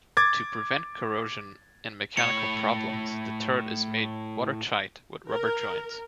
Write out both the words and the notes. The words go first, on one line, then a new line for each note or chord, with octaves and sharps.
To prevent corrosion and mechanical problems, the turret is made water-tight with rubber joints.
D6 G#6 A6
A2 C#5 C#7
A#4